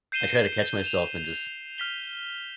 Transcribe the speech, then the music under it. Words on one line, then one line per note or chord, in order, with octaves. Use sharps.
I try to catch myself and just
G6 C7 D#7 E7 G7
E7 F7
F6 B6 G7